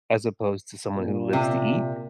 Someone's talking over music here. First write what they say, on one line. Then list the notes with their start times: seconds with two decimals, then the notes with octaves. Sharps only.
as opposed to someone who lives to eat,
0.94 A#2
1.33 C3